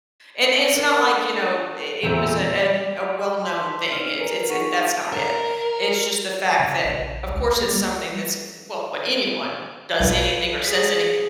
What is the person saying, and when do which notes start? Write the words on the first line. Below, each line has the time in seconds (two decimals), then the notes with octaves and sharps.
And it's not like, you know, it it was a an a well-known thing. It's it's it that's not it. It's just the fact that, of course, it's something that's well, when anyone does anything or says anything
0.75 D4 A#4
2.03 E2 A#2 C#3 A#3 C4 E5 G5
2.97 C6
3.42 A5 C6 E6 F6 B6
3.90 D#4 D5 F6 F#7
4.18 A#4 B4 G#5 A#5
4.49 D#4 G#4 F#5 C#6 C#7 D#7
5.12 A#4
6.60 C#3
6.85 A#1
7.31 C#2
7.61 A#3
7.73 G3
10.00 B1 F4 A4 B4
10.65 G#4 B6